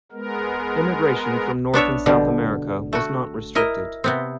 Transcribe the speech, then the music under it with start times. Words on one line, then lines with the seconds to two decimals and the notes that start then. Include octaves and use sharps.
Immigration from North and South America was not restricted.
0.12 G#3 B3 A#4
1.74 B3 D4 C#5 E5
2.06 B2 D3 G3
2.93 A3 F#4
3.55 E4 A#4 D#5
4.04 C3 B3 C4